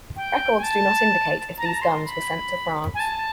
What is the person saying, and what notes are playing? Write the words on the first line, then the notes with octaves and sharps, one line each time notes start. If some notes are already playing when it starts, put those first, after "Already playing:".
Records do not indicate if these guns were sent to France.
G5
G#5
A5
A#5
A5
A#5
C6
B5
G#5
A5